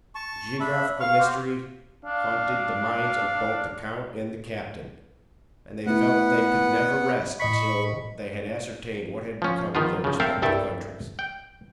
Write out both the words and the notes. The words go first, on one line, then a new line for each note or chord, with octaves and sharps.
The geographical mystery haunted the minds of both the count and the captain, and they felt they could never rest till they had ascertained what had become of their respective countries.
A5 C#6
D4 E5 B5
F5 C#6
F#4 G4 C5
D4 F5
A3 B3 E4 F#5
A2 D#5 B5 C#6 B6
F3 C#4
D#3 F3 B3 F4
C#3 F3
C4 A4 A#4 C5 E5 F5
C2 G2 A4 E5 G5 A5
G5